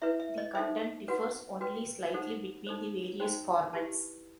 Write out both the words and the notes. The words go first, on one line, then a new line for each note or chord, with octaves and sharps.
The content differs only slightly between the various formats.
E4 B4 E5
E5
D#5
D#4 A4 C5 E5
F#4 B4 F#5
F#4 B4 G5
D#4 A4 C5 F#5
D#4 A4 C5
D#4 F#4 C5 G5
E4 G4 B4 A5